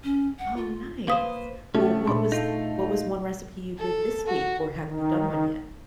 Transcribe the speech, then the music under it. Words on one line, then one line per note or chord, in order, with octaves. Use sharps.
Oh, nice. Well, what was what was one recipe you did this week, or have you done one yet
C#4
F#5
F4
A#3 B4 C5 F5 D#6
C3 A3 C#4
A#2 D4
D#4 F4
A4
F#4
D#3